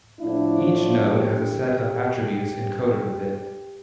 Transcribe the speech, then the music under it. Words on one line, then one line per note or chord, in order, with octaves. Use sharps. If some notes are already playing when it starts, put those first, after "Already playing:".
Each node has a set of attributes encoded with it.
A2 F3 A3 D4 E4
F4
G4